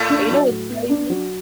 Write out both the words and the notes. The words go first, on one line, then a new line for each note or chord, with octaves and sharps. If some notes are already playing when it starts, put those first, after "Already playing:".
And you know what's crazy?
Already playing: A2 A3
D4
F#3
A2
B3
D4
F#3